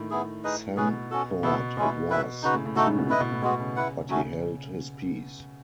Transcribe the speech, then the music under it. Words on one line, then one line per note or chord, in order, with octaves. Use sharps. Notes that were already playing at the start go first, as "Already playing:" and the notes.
Sam thought it was, too, but he held his peace.
Already playing: A2 D#3
B3 E4 G#4
D#4 G#4 B4 D#5
B2 C#4 G#4 B4
C#4 F#4 A4
B2 B3 E4 A4
B2 G#3 C#4 E4
E4 B4 E5
C#3 D#4 F#4 B4
A2
A2
B2 A3 D#4 F#4 A4
C#3
B2
A2 E4 B4 D#5
B2
A2
B2 G#3 B3 F#4
C#3
E4 B4 F#5
C#3 F#3 A3 C#4 F#4